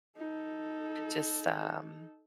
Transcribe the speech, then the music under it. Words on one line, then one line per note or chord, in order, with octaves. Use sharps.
just, um,
D#4 A4